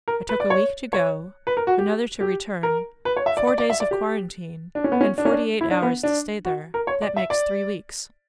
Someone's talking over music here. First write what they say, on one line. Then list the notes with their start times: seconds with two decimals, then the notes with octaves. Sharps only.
I took a week to go, another to return, four days of quarantine, and forty-eight hours to stay there; that makes three weeks.
0.08 A#4
0.29 B4
0.40 D5
0.50 C#5
0.93 C#5
1.47 B4
1.57 A#4
1.67 F#4
1.78 G4
2.21 G4
2.63 A#4
3.05 B4
3.17 C#5
3.26 E5
3.37 D5
3.47 D5
3.58 D5
3.70 E5
3.80 D5
3.91 G4
4.75 D4
4.84 C#4
4.92 B3
5.01 C#4
5.18 D4
5.25 C#4
5.32 D4
5.61 E4
5.71 D4
5.82 B3
6.03 D4
6.45 F#4
6.74 A#4
6.87 C#5
7.02 D5
7.16 E5
7.30 D5